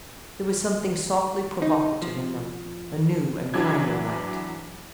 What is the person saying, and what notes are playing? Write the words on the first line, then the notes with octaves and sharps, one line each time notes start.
There was something softly provocative in them--a new and kinder light.
D#4
F3
E2 E3 F#3 D4 G#6